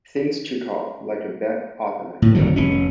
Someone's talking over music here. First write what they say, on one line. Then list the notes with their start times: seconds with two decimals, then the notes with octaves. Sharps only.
Things took off like a bat out of hell.
2.22 A2
2.35 G1 F2 D#3 F#3
2.56 F1 B2 C#4